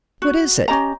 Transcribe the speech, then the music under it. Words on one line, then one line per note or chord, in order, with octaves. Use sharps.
"What is it?"
F#4
C#4 G4 D#5 A#5